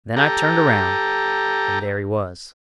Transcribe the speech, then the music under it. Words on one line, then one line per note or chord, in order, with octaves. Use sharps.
Then I turned around and there he was.
G4 A4 A#5